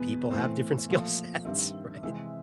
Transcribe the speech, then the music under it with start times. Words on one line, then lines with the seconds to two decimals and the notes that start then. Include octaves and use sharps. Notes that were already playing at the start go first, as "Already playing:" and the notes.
people have different skill sets, right?
Already playing: E2 B2 G#3 B3 B4
0.30 A2 E3 A3 C4 C5
0.88 A#2 F3 A3
1.45 G2 D#3 G3 C4 E5
2.03 C3 E3 G#3 C4 E5